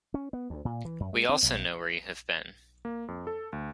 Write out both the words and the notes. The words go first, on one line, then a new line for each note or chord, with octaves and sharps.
We also know where you have been.
C#4
B3
D2
A#2
E3
F#2
G#3
C4
B1
A#3
F2
A4
D2